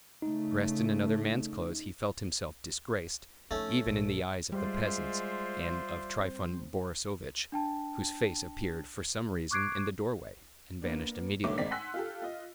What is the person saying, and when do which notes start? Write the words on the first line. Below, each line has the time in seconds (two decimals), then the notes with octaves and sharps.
Dressed in another man's clothes he felt himself disgraced, even in the eyes of the peasants, and of Trifon Borissovitch, whose face appeared, for some reason, in the doorway, and vanished immediately.
0.22 C#3 A3 D#4
3.51 F3 A3 C#4 D#4
3.86 A#1 E3
4.52 G3 G#3 F4 C5 D5 E5 C6
6.18 C4
7.52 D4 G5 A5
9.51 C#6 D6 F#6 G#6 C7 D7
10.82 A#3 B3 D4
11.44 B1 G2 A3 C#5 E5 D6
11.58 G#1 G#3 C4 D5 B6
11.71 F#5 G#5 C6 E6 F#6 B6
11.94 F4 G4 A4
12.22 F4 D#5